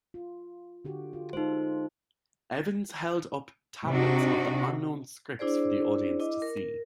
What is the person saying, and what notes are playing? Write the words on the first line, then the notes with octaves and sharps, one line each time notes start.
Evans held up tablets of the unknown scripts for the audience to see.
F4
D3 F#4 G4
F4
G#3 D#4 F4 A4 C5
C3 D4 D#4 F#4
D4 E4 G#4 C5 D5
E4 D#5 D6
A#4